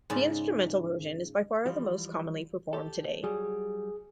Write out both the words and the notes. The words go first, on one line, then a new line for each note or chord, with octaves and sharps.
The instrumental version is by far the most commonly performed today.
G#2 C#3 D5
E3 F3 G3
G4 A4
F#3 G3 G#4